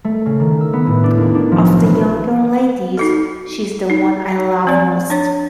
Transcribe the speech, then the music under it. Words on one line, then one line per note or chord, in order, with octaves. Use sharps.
Of the younger ladies, she's the one I love most.
A3
C#3
D#3
E6
B3
A2
D4
D#2
D4
F3
B1
E3
D#4 F#4 A4
D#4
F3 C4 D5
D4 C#5